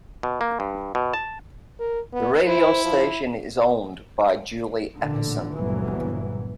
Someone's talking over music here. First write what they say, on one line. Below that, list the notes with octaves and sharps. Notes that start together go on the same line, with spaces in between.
The radio station is owned by Julie Epperson.
B2
A#3
G2
B2
A5
A#4
B3
E4 C5
F3
A1 A#2 D3
G1 C#2 A#2 E3 F#3